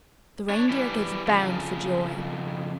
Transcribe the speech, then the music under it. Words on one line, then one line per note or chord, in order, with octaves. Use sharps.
The Reindeer gave a bound for joy.
D4 C#5
E3 G3
F2 C#3